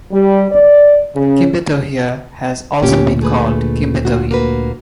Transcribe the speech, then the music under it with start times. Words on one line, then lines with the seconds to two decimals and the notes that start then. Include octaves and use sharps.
"Kimbetohia" has also been called "Kimbetohi".
0.12 G3
0.51 D5
1.15 C#3
2.83 D2 A#2 C#4 G4
3.21 A3 G#4 B4
4.05 F4 F#4
4.31 A#3 F#4 B4